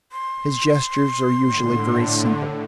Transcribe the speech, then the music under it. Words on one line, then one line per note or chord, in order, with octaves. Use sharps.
His gestures are usually very simple.
C6
A2 D3